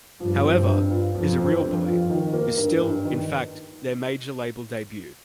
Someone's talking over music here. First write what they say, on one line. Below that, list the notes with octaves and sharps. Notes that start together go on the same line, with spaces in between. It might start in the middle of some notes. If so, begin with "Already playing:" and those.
However, "...Is A Real Boy" is still in fact their 'major label debut'.
G2 F3
C4
G2
F4
F2 F3
C4
G2
F4
D#3
A#3
G2
G2
D#3